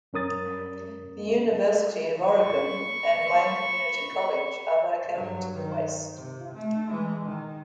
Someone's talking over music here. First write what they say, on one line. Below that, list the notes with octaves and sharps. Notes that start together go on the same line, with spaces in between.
The University of Oregon and Lane Community College are located to the west.
F#2 C#4 A#4 D#6 A6
B5 C#6
G2 F#3
D#3
C3
A3
E3 G#3
D#3